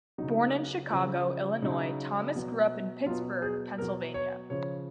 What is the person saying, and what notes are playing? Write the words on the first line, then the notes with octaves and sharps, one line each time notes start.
Born in Chicago, Illinois, Thomas grew up in Pittsburgh, Pennsylvania.
C#3 F#3 D#4
C#3 F3
C#3 F#3 D#4
B2 F#3
B2 F#3 F4
G#4
B2 F#3 A#4
C#5
C#3 F3 C#5